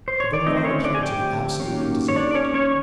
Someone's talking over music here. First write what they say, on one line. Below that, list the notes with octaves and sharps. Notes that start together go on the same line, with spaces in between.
The boulevard appeared to be absolutely deserted.
C5
C#5
D5
D3 F3 A3 C4 D#4 D#5
C5
C#4 C#5
D4 D5
G#5
G4 G5
D#3 F#3 A#3 C#4
C#5
D4 D5
D5
C#4 C#5
C#4 C#5